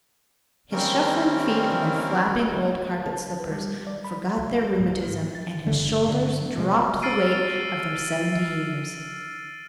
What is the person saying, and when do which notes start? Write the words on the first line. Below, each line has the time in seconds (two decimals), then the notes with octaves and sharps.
His shuffling feet, in their flapping old carpet slippers, forgot their rheumatism, and his shoulders dropped the weight of their seventy years.
0.72 D#3 G3 A#3 C4 C#4 A#4
3.05 A5
3.40 B4
3.52 G3
3.74 G3
3.87 D5
4.04 B5
4.38 C2
4.79 G#2
5.00 F3
5.35 A6
5.67 G1 C#2 D3 A3
6.08 D3
6.58 C3 G#3
7.02 E6 F6 A6 C7 D7 D#7